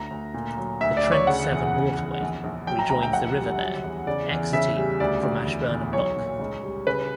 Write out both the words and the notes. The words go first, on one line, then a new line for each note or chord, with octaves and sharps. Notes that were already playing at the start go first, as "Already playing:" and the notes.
The Trent-Severn waterway rejoins the river there, exiting from Ashburnham Lock.
Already playing: D2 A#5
D2
A#2
F#3
D2 E5
D5
D2
C#5
C#3 F#5
E2
C#3
E2
A#1
A#1
F#3 G5
A#5
D2 A#5
G5
A#1 F#5
G3
F#3
E2
C#3 D5
E2
C#3 E5
G3
D2 D5
D2
E2
E2
B1 C#5
A#2
C#2
G3
C#3 B4